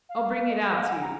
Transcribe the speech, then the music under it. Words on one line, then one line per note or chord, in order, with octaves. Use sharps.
I'll bring it out to you.
F5
F5
D#5
F5
F#5
G#5
A#5